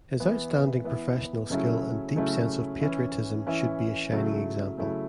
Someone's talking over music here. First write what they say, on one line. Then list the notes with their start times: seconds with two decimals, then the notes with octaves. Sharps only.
His outstanding professional skill and deep sense of patriotism should be a shining example.
0.20 E3 B3 E4
0.84 E3 B3 E4
1.50 C#3 F#3 A3 C#4 E4
2.16 C#3 F#3 A3 C#4 E4
2.81 E3 C#4 E4
3.47 E3 C#4 E4
4.12 C#3 F#3 A3 E4
4.78 C#3 F#3 A3 E4